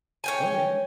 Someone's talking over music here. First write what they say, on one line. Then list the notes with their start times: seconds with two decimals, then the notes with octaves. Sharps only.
Oh, yeah.
0.24 C#5 G5 G#5